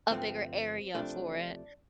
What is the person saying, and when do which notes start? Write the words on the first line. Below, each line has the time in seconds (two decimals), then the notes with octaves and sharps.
a bigger area for it,
0.11 G2 D3 F3 A3 C4
0.94 C2 C3 F3 A3 D4